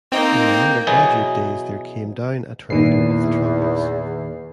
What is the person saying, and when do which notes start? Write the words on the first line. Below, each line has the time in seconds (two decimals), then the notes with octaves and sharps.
In my undergraduate days there came down a tornado of the tropics.
0.12 A#3 C4 D#4 G5
0.87 B2 E3 F#3 B3 G#4
2.70 E2 A#2 D#3 C7